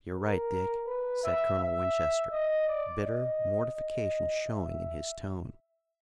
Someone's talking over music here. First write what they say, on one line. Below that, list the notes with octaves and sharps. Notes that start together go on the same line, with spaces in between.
"You're right, Dick," said Colonel Winchester, bitter mortification showing in his tone.
A#4
B4
E5
E5
D#5
D5
D#5
D#5
E5